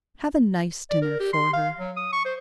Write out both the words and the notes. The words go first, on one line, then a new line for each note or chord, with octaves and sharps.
Have a nice dinner for her.
D5
A#4
G4
C6
F5
F#3
D#6
C#6
C5